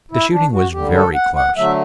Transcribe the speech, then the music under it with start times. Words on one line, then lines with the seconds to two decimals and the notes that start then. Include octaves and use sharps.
The shooting was very close.
0.11 E4
0.31 D4
0.52 F#4
0.73 D3 G3 G4
0.93 A4
1.14 F#5
1.36 F#5
1.56 D3 F#3 A3 E5